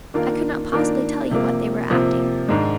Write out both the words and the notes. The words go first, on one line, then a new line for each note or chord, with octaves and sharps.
I could not possibly tell you what they were acting.
D#3 A#3 D4 F4 A#4
D#3 A#3 D4 F4 A#4
C3 F3 A#3
C3 F3 A#3
G#2 D#3 G#3 D4